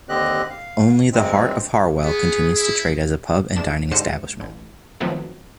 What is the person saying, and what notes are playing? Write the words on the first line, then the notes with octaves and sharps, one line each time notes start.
Only The Hart of Harwell continues to trade as a pub and dining establishment.
D#2 D3 C4 G4 D#5 F#6
F5
D2 G2 G#3 C4
B3 G#4
E4
E2 D4 E7
G#2 D3 G4 C5 C#7 E7
A1
D#3 F3 F#3 A3 B3 C4